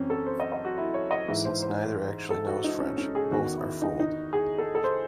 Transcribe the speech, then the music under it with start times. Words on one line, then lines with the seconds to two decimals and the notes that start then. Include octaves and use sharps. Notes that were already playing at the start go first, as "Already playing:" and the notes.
Since neither actually knows French, both are fooled.
Already playing: F#2 E3 C4 C#4
0.10 A4
0.26 C5
0.40 D#5
0.52 D#5
0.65 F#4
0.78 E4
0.94 C#5
1.11 D#5
1.28 G#2 E3 E5
1.45 C5
1.62 C5
2.30 A4
2.47 F#4
2.64 D#4
2.80 C#4
2.98 C#4
3.15 G#4
3.31 E2 D#3 F#4
3.57 E4
3.82 D#4
4.00 D#4
4.33 G#4
4.58 A4
4.75 A4
4.84 C5